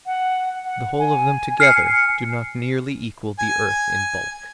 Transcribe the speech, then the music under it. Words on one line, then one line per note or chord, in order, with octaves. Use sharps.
The whole of them together do not nearly equal the earth in bulk.
F#5
F#5
G#5
F6 C7 C#7
G#5